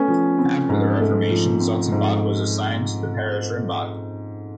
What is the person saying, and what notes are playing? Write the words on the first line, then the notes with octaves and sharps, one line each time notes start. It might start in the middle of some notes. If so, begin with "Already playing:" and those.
After the reformation, Zotzenbach was assigned to the parish, Rimbach.
Already playing: A3 B3 C#4
F3
C4
G#2
A3
F3
C4
G#2